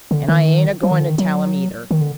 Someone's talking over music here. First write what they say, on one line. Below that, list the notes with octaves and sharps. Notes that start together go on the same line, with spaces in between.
And I ain't a-goin' to tell him, either!
D3
D#3
F#3
D#3
D3
D#3
F#3
D#3
D3